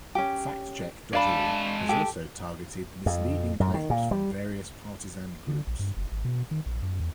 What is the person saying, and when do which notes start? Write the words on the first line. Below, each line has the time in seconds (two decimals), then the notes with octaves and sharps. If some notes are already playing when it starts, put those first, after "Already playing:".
FactCheck dot org has also targeted misleading claims from various partisan groups.
0.15 C#4 G4
1.13 G#3 D4 F5 A5 B5
1.89 G4 A4
3.06 F2
3.60 F#2
3.74 D#3
3.90 A#2
4.11 G3
5.48 D3
5.67 A#1
5.79 G2
5.97 F#1
6.12 G#1
6.25 B2
6.51 D#3
6.66 A#1
6.83 F#2
7.00 E2